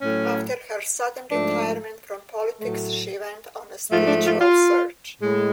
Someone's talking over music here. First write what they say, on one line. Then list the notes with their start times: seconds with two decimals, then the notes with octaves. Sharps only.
After her sudden retirement from politics she went on a "spiritual search".
0.02 A2 F#3 A3 C#4
1.32 G#2 F3 A3 D4
2.61 A2 F#3 A3
3.91 G#2 F3 A3 F4
4.07 D4
4.24 F4
4.41 F4
5.22 A2 G#3